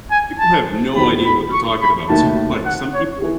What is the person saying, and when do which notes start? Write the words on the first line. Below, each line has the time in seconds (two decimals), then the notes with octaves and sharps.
People have no idea what they're talking about, too. Like, some people
0.11 G#5
0.39 A5
0.95 E2 D#3 F#3 B5
1.24 B5
1.53 C#6
1.81 B5
2.09 D#2 D#3 F#3 A3 A5
2.66 F#5
2.94 C#5
3.22 E3 B3 E4 G#4